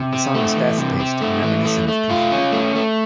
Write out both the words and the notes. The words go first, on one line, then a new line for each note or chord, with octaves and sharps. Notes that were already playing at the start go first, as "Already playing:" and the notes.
The song is fast-paced and reminiscent of P-Funk.
Already playing: C3
C4
A3
E3
C3
C4
A3
E3
A3
A3
F4
C#4
A3
A3